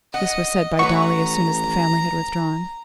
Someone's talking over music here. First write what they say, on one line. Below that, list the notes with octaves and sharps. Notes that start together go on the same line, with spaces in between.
This was said by Dolly as soon as the family had withdrawn.
D#5 F#5
A1 B4 C#5 F#5 A#5 C#6